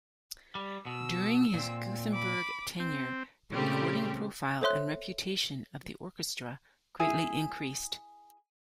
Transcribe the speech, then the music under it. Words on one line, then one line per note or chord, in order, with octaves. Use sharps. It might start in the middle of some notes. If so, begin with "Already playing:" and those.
During his Gothenburg tenure, the recording profile and reputation of the orchestra greatly increased.
G3
B2 E6
A#2 C4
B5 D6
C4
A#2 C#3 G3 A3 C4 G4
A4 C5 C#5 E5 C6 F#6
E4 G#4 G#5